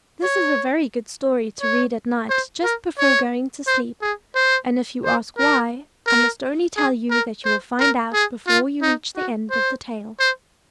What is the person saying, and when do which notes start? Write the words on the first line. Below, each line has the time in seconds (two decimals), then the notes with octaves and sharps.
This is a very good story to read at night just before going to sleep. And if you ask why, I must only tell you that you will find out before you reach the end of the tale.
0.24 C#5
1.61 C#5
2.30 C5
2.64 A#4
2.99 C#5
3.67 C5
4.02 G#4
4.36 C5
5.05 C5
5.38 A#4
6.07 A#4
6.76 G#4
7.11 A#4
7.45 C5
7.79 A#4
8.14 G#4
8.47 F4
8.82 D#4
9.16 F#4
9.51 C5
10.20 C5